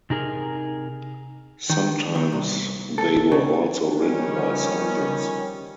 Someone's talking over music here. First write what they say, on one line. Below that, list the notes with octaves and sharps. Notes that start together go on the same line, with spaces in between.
Sometimes they were also ridden by soldiers.
C3 D#4 G#4 A#4
D#3
D#3
C2
A4
C#3
D#3 F3 G3 C#4